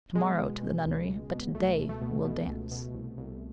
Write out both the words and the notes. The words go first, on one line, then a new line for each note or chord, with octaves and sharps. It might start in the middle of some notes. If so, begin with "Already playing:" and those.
To-morrow to the nunnery, but to-day we'll dance.
B2 G#3
B2
B2
C#2
C#2
B2
C#2 A3
B2
A3
B2
B2
C#2
B2
C2
C2